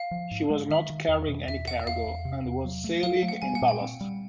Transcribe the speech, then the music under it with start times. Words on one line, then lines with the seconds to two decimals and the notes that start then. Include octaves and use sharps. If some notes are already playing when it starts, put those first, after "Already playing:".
She was not carrying any cargo, and was sailing in ballast.
Already playing: F5
0.11 F3
0.31 G#2
0.50 G#3
0.70 D#3 E5
0.89 D#3
1.08 E2
1.28 B2
1.47 E2 E5
1.67 E2 F#5
1.86 E2 F5
2.07 E2
2.25 C3
2.45 E2
2.65 F#3
2.84 A3
3.03 F#3 F5
3.23 A3
3.28 F#5
3.42 G3 G#5
3.55 F#5
3.62 A#2
3.68 G5
3.81 C4
4.01 G3